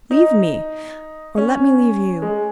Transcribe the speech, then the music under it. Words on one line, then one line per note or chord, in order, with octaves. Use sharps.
Leave me! or let me leave you.
D#4
C#4
G#3